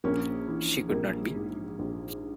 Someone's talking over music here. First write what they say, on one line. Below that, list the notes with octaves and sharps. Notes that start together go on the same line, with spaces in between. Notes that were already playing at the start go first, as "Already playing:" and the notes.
She could not be.
A#1 A#3 C#4
E3
A#1 A#3
G#2
A#1